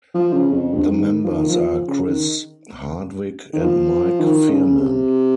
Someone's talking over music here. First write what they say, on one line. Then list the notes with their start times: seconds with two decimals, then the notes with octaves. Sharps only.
The members are Chris Hardwick and Mike Phirman.
0.15 F3
0.33 C#3
0.53 F2
0.72 G2
0.86 G#2
1.01 D#3
1.24 F3
1.31 D#3
1.49 F3
1.88 C#3
2.07 D#3
3.53 D#3
3.61 F3
4.20 D#3
4.49 C#3
4.78 C3